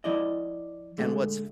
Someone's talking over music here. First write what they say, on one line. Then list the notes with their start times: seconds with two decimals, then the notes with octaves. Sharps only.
And what's f
0.04 F3 E4 D5 D#5
0.98 A#2 D3 G#3 A3